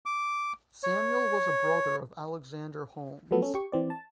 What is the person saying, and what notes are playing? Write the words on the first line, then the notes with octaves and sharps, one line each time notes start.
Samuel was a brother of Alexander Holmes.
D6
C#5
F3 F#3 A3 B3 A4
C#4 A4
G4 C#6
E3 C4 D5
A5